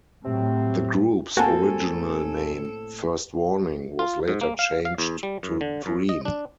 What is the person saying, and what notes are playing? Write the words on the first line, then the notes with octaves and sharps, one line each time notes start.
The group's original name, First Warning, was later changed to Dream.
A2 C3 F#3 C4
A2 A#3 C4 F#4 A4 G#5 A5
F4
G#2
A#3
F5
F5
E2
G3
F#2
D3
F#2
D#5
D4